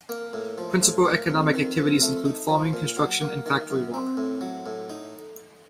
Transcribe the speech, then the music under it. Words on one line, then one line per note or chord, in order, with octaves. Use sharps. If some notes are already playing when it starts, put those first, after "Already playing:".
Principal economic activities include farming, construction, and factory work.
A#3
A2
F3
A2
A#3
F2
D#3
F2
A3
D#4
F3
A#2
F#3
A#3
D#3
F#2
C4
A2
F#3
A2
D#4